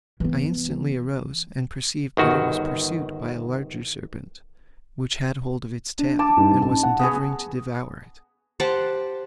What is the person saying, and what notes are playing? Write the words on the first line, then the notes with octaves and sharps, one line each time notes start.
I instantly arose, and perceived that it was pursued by a larger serpent which had hold of its tail, and was endeavouring to devour it.
E3 B3
G1 D#3 F#4
D4
A5 D6
G2 G3 D#4
A1 A5
F#5
B3 F#4 G#4
G4 C5 F#5 A5